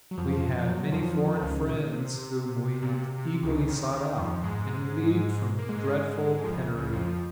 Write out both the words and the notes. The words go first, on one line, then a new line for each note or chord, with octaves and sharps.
We had many foreign friends whom we eagerly sought out, and relieved from dreadful penury.
F#3
F2 F3
F3
F#2 F#3
F2 F3
D#3
C#2 C#3
A#2
C3
A#2
C3
C3
C#2 C#3
D#2 D#3
D#2 D#3
F2 F3
G#2 G#3
A#3
G#2 G#3
F2 F3
C#2 C#3
C#2 C#3
F2 F3